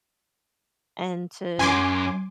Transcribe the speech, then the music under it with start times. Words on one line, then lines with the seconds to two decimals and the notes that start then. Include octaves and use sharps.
and to
1.59 F#2 G#5 C6 D6